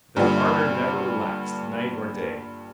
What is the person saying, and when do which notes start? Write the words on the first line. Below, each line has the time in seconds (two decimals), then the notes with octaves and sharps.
But their ardor never relaxed, night or day.
0.16 G2 A#2 D3